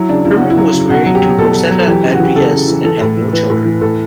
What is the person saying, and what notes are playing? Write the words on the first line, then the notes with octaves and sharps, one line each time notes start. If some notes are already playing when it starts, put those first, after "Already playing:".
Herman was married to Rosetta Andriesse and had no children.
Already playing: F#3 E4
C#3 D4
C#3 E4
C#3 F#4
E4
F#3
C#3
B2 F#4
F#3
G4
F#3
B2 A4
F#3
F#3
A4
E3 G4
C#3
F#4
E3 G4
C#3 A4
C#3
E3
E3 A4
A2
E3
E3 B4
A2
E3
A2 A4